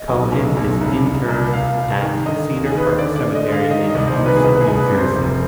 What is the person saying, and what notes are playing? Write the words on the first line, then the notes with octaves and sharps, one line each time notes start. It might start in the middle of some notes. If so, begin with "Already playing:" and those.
Cohen is interred at Cedar Park Cemetery, in Emerson, New Jersey.
Already playing: D#5
B1
B1
B1
C2
C2
C2
C2 F5
C2
D#3
D3 D#5
D#2
G#4
D#2 B4
C5
D3 D5
D5
D3
D#5
D3 F5
D#3 D#5
D#5
C2
C5
D#3
B4
G#4
C2 B4
B4
G#4
C2
B4
C3
C5
F1